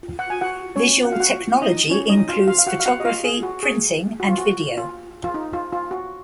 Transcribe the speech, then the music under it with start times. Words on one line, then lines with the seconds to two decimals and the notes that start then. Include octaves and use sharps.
Visual technology includes photography, printing, and video.
0.19 F#5
0.30 G#5
0.41 F#4 F#5
0.76 C#4 C#5
1.05 F#5
1.12 F5
1.20 F#4 F#5
1.62 D#4 D#5
1.90 C#4 C#5
2.10 D#4 D#5
2.29 F4 F5
2.48 F4 F5
2.58 F5
2.67 F#4 F#5
2.80 F5
2.86 F#4 F#5
3.00 D#5
3.05 F4 F5
3.24 G#4
3.43 F#4
3.63 G#4
4.20 F#4
4.28 F4
4.38 F#4
4.77 F4
5.24 F4
5.34 D#4
5.53 F4
5.73 F4
5.91 F#4